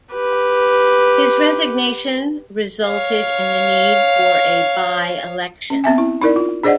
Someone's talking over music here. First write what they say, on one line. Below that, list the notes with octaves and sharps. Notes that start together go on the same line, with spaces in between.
His resignation resulted in the need for a by-election.
G4 B4
C#5 F5
C#4
B3 C4 E5 G#5
E4
D#4 E4 A#4 D5
F4
D4 G#4 C5 D5 D#5 F#5